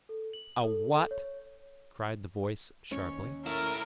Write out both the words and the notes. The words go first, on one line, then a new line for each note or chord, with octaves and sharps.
"A what?" cried the voice, sharply.
A4
F#7
A4
C#5
D#2 C#4 C#5
A3 E4 A#4